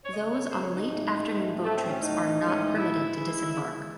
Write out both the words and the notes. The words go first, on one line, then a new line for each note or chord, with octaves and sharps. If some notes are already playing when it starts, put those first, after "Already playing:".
Those on late afternoon boat trips are not permitted to disembark.
C#5
C#3 G#3 D#5
C#5
C#3 G#3 C5
C#5
D#4
A2 E3 G#3
A2 E3 G#3
A2 F#3 A3
C4
C#4
A2 F#3 D#4
A2 E3 G#3
C#4
D#4
A2 E3 G#3 E4
C#3 E3 G#3
C#3 E3 G#3